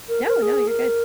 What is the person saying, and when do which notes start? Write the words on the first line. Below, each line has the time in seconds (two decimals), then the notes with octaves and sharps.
No, no, you're good.
0.09 A#4
0.25 A#4
0.42 G#4
0.67 A#4